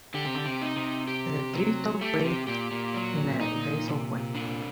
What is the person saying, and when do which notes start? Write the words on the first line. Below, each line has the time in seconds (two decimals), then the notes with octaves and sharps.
The tree top waved in a graceful way.
0.14 D3 G4
0.25 C3
0.35 D3
0.46 C3
0.61 D#4
0.76 C3
1.07 G4
1.54 F#3
2.01 A3 G4
2.25 C3
2.47 A#2 G4
2.71 A#2
2.94 F#3
3.40 D#4
3.88 C3
4.34 D4